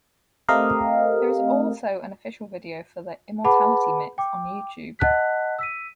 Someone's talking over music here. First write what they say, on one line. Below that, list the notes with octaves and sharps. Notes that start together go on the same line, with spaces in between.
There is also an official video for the "Immortality Mix" on YouTube.
A3 C4 G4 A#4 D#5 F5
G#4 B4 F#5 A5 B5 D6
G5 D6
D#5 F#5 A5 F#6 B6
E6 B6 D#7